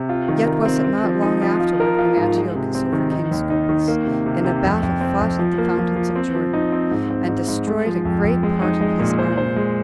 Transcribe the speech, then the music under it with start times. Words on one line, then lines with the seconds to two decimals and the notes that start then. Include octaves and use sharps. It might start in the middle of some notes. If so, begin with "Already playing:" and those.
Yet was it not long afterward when Antiochus overcame Scopas, in a battle fought at the fountains of Jordan, and destroyed a great part of his army.
Already playing: C3
0.09 F4
0.28 D#3
0.47 A#4
0.65 C4
0.84 C4
1.04 F3
1.22 D#4
1.41 F3
1.60 F4
1.80 A#4
1.98 F4
2.17 G#2
2.36 G#3
2.55 C3
2.75 C4
2.93 D#3
3.12 D#4
3.31 D#2
3.50 D#4
3.69 D#3
3.88 A#3
4.07 C3
4.26 C3
4.44 C3
4.64 F2
4.83 F2
5.01 C4
5.21 F2
5.39 F3
5.58 A#3
5.78 F3
5.96 F3
6.16 C4
6.35 F3
6.53 D#4
6.72 C4
6.91 G#2
7.10 C4
7.28 G#2
7.48 G#2
7.67 G#3
7.86 F3
8.05 F2
8.24 F2
8.43 G#3
8.62 D#4
8.81 G#3
8.99 A#2
9.19 C5
9.37 C5
9.56 G#3